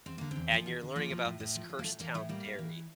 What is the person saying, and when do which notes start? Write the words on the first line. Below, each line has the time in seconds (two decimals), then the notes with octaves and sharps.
and you're learning about this cursed town Derry.
0.06 E2 C4
0.18 D3 A#3
0.31 E2 C4
0.52 F3
0.66 E2
0.81 D3
0.96 F3 A#3
1.10 F3
1.25 A2
1.40 A2
1.55 F3
1.70 F3
1.79 A#3
1.84 A2 A3
1.99 E3 A#3
2.14 A2 A3
2.29 G3 A#3
2.45 A2
2.59 E3